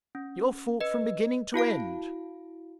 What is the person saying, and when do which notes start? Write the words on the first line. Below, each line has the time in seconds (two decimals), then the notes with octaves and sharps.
'Your fault from beginning to end.'
0.15 C#4
0.81 B4 D#5
1.54 E4 F#4 F5 D7